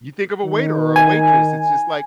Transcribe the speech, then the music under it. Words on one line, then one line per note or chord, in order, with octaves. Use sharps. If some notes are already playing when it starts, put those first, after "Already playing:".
you think of a waiter or a waitress, it's just, like
D#3
G#5